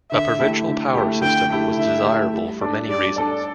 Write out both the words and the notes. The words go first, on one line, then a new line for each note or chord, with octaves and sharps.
A provincial power system was desirable for many reasons.
D3 E5
A3 E4 G4
D3
A3 E4 G4
D3 G5
A3 E4 G4
D3 E5
A3 E4 G4
G3
D4 A4 D5
G3 D5
D4 A4 D5